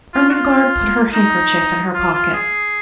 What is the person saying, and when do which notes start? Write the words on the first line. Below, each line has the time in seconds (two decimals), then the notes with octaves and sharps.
Ermengarde put her handkerchief in her pocket.
0.14 F4
0.29 F#4
0.33 F4
1.13 D#4
1.93 F4
2.13 F4
2.33 G#4